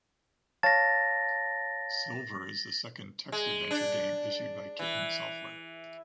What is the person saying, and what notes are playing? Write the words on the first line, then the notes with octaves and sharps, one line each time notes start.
Silver is the second text adventure game issued by Kitten Software.
C#5 F5 A5 A6 A#6
G#3
D4
E3